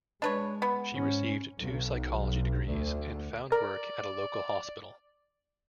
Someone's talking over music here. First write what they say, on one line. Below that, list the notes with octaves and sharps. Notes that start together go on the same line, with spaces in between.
She received two psychology degrees and found work at a local hospital.
G#3 D4 B4 C#5
B3
G#2 C#4
B1
D2
A#4 D5